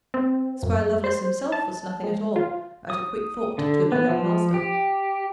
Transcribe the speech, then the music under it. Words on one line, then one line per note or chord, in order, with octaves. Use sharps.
'Squire Lovelace himself was nothing at all at a quick thought to her young master.
C4
F#2
C5
A5
G#3
F4
D#6
D3
B3
F3
G4